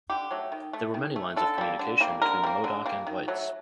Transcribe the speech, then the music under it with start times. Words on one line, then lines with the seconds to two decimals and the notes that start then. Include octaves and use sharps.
There were many lines of communication between the Modoc and whites.
0.10 D3 G4
0.31 F#3 A3
0.52 D#3
0.73 A3
0.94 D#3
1.16 A3
1.36 D3 A4
1.58 G3 A#3
1.79 D3
2.01 G3 A#3
2.22 D3 A#4
2.44 G3 A#3
2.64 D3
2.86 G3 A#3
3.07 D#3
3.28 F#3 A3